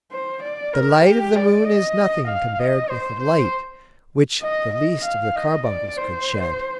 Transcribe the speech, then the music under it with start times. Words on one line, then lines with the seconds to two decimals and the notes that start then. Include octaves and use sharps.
The light of the moon is nothing compared with the light which the least of the carbuncles could shed.
0.12 C5
0.43 D5
0.74 A#4
1.05 G4
1.36 D5
1.66 D#5
2.28 F5
2.59 D#5
2.89 C5
3.20 C5
4.43 D#5
4.74 D#5
5.05 F5
5.36 D#5
5.66 D5
5.97 C5